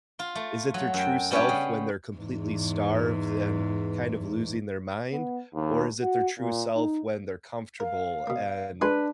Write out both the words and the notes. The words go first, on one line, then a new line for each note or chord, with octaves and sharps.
is it their true self when they're completely starved and kind of losing their mind? Or is it their true self when they're comfortable and
F4 C6
A3
F#3
F#2 G5
G3 B3 C#4 D4 C#5 G5
C#3
E2 G#2
B3
D#2
F#4
A#2
D#4
A#4 F5
B2 A#3
G#3 D4 B4 G#5 C6